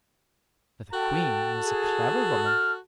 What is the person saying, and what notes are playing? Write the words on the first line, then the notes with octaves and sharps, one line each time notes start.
But the Queen was a clever woman.
F#4 A4 G5 A5
G#4
F6